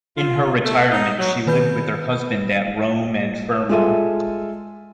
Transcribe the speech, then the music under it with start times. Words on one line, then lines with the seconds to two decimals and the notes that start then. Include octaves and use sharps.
In her retirement she lived with her husband at Rome and Fermo.
0.16 F4
0.64 A3
0.91 D#4
1.19 F#3
1.47 D#3 B4 B5 G6
3.69 G#3 F4 A4 E5 D#7